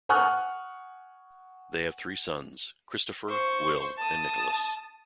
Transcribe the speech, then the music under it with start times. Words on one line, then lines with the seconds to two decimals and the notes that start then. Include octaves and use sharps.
They have three sons: Christopher, Will, and Nicholas.
0.09 F#5 G#5 C#6 D#6 F6 F#6
3.28 C5 C#6
3.98 A5 D#6